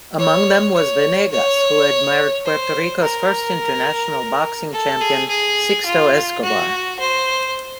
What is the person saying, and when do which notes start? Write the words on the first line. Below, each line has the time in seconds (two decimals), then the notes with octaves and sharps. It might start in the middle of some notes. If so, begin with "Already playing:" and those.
Among them was Venegas, who admired Puerto Rico's first international boxing champion, Sixto Escobar.
0.18 C#5
0.74 C#5
1.31 C#5
2.45 C5
3.02 A#4
4.72 A4
5.01 G#4
5.29 G#4
5.86 F4
6.43 F#4
6.99 C5